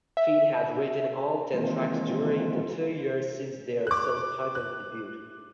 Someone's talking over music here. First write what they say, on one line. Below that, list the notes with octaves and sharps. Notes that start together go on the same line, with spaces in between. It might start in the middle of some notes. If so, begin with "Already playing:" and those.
Finn had written all ten tracks during the two years since their self-titled debut.
E5
D#3 E3 G#3 A#3 C4 F4
D6 F#6
F#6